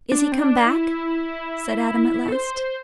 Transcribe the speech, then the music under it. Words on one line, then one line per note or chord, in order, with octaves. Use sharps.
"Is he come back?" said Adam at last.
D4
C4
D4
E4
A4
C5